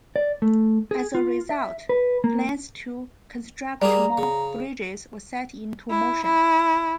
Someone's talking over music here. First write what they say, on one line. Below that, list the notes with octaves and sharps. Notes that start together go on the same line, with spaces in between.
As a result, plans to construct more bridges were set into motion.
D5
A3
G#4
F4
E5
B4
A#3
G3 A#3 G#4 D5 A#5
C#3
E4
E4